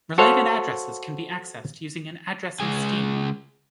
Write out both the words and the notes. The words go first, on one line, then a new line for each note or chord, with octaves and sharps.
Related addresses can be accessed using an "addressing scheme".
F#4 A4 C5 C#5 F5
C#3 G#3 G#4 G#5